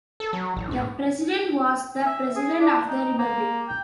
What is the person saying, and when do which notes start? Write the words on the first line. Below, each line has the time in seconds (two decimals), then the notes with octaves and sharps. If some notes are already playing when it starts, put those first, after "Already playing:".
The President was the President of the Republic.
0.20 A4
0.33 F#3
0.57 A1
0.71 G#2
2.06 E5
2.36 G#4
2.60 D4
2.88 D#4
3.18 A#3
3.68 G5